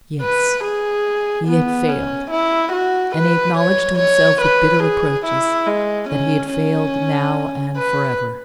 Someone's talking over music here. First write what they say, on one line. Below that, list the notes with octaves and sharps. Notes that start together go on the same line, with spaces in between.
Yes; he had failed: and he acknowledged to himself, with bitter reproaches, that he had failed, now and for ever.
B4
G#4
B3
C#4
E4
F#4
B4
C#5
C#5
B4
G#4
E4
G#3
C#4
C#4
B4